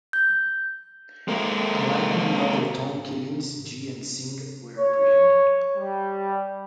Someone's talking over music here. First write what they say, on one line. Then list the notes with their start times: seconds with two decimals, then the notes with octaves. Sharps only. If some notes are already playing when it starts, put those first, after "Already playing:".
Unlike many other Tong killings, Gee and Sing were apprehended.
0.13 G6
1.28 G#3 A#3
4.79 C#5
5.77 G3